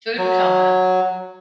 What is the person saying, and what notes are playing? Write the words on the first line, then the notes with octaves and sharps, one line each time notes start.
Food coma.
F#3